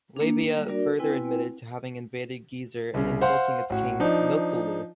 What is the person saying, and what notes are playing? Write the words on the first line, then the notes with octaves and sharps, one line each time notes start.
Labaya further admitted to having invaded Gezer and insulting its king Milkilu.
A#3 D4
G3 A#3
D4 F#4 A#4 D5
C4 E4 B4 G5 G#5
C2 C#3
C5 F5 F#5 C6
A1 F#4
F3 D4 D#4